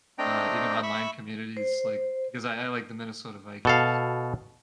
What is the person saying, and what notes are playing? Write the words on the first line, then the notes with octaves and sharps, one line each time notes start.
uh, even online communities, like, because I I like the Minnesota Vikings.
A3 C4 D4 D#5 G5 A#5
E5 B5 C#6 E6
C5
B2 A4 F5